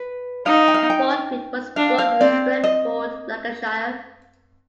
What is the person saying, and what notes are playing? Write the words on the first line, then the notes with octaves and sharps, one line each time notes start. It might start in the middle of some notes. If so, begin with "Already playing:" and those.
Baldwin was born in Stretford, Lancashire.
Already playing: B4
D#4 F5
G5
F5
G5
D4 F5
F5
C4 D5
D#5